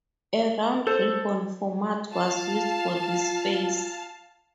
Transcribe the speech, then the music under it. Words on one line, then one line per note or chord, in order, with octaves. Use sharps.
A round robin format was used for this phase.
A4 C5
F4 F5 A5